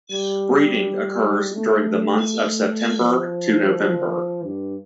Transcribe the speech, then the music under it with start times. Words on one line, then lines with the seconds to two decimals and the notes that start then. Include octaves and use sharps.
Breeding occurs during the months of September to November.
0.11 G3
1.55 A3
2.99 F3
4.43 G2